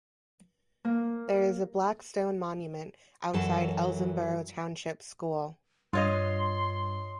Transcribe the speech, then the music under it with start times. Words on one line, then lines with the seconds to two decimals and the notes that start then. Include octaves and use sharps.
There is a black stone monument outside the Elsinboro Township School.
0.85 A#3
3.33 F#2 E3 F#3 A4 A5
5.93 G2 F4 C#5 D#5 C6